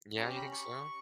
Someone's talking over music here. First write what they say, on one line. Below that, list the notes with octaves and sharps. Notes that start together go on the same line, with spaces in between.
Yeah, you think so?
C#4 G4 A#5
B5
C#6